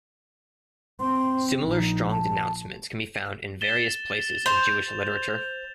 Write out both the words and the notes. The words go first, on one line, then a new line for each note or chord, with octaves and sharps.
Similar strong denouncements can be found in various places in Jewish literature.
C4 C6
A#1 D#4
A5
A6 E7 G7
C5 G6 F7